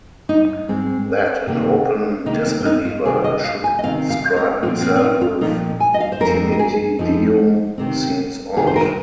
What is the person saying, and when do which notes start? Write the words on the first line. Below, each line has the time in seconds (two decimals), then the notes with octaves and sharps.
That an open disbeliever should inscribe himself with Timete Deum seems odd.
0.29 D#4
0.68 G#2 G#3 C4
1.47 C3 D#3 A#3
2.26 C3 D#3 A#3 D#4
2.46 C4
2.60 C4
2.65 D#4
2.85 F4
3.05 C3 D#3 C4 G#4
3.24 D#5
3.44 F5
3.64 G#5
3.79 D#5
3.83 C3 D#3 C4 F5
4.10 F5
4.36 A#4
4.62 A#2 F3 C4 F4
4.82 C4
4.96 C4
5.02 D#4
5.21 F4
5.41 A#2 F3 C4 D#4
5.80 G#5
5.94 D#5
6.00 F5
6.12 C5
6.20 F2 F3 C4 A#4
6.52 A#4
6.59 G#4
6.99 F2 F3 C4 D#4
7.78 C3 D#3 C4
8.56 C3 D#3 C4 G#4
8.67 C5
8.76 A#4